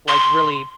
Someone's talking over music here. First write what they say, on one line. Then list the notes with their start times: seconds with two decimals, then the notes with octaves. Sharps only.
like really
0.08 C6